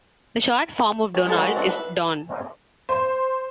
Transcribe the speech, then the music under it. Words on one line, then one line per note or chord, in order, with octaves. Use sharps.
A short form of "Donald" is "Don".
C#4
G#3 D#4 E4 A4
G#3 C#4 D#4 F#4 A#4
C4 D4 F#4 E5 F#5
B4 E5
C5